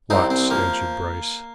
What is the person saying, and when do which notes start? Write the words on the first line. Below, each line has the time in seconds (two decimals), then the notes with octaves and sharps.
"Lots!" answered Bryce.
0.10 C2 C4 D#4
0.30 C4
0.50 F3 A#3